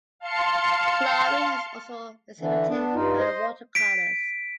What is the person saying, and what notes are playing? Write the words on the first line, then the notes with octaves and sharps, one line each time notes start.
Klawe has also exhibited her watercolors.
F5 A5 C6 C#7
D3 E3
B3 D4
G2 D#4 F4
C5 D#5
B6 D7